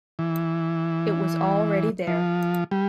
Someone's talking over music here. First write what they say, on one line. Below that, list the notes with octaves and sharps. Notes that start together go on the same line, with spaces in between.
It was already there.
E3
F3
G3